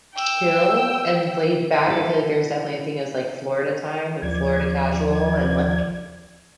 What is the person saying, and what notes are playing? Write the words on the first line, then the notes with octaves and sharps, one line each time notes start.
"chill and laid back." I feel like there's definitely a thing as, like, Florida time and Florida casual and, like,
G5 E6
E4 A4
D#2 F3 D5 G#6